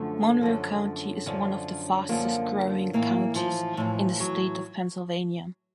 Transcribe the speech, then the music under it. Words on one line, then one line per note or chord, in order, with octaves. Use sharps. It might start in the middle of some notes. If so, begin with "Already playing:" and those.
Monroe County is one of the fastest-growing counties in the state of Pennsylvania.
Already playing: F#2 D3 F3 A3
F#2 D3 F3
F#2 D3 F3
F#2 D3 F3 A#3
A2 E3 A#3
F3
A2 E3 F3
F#3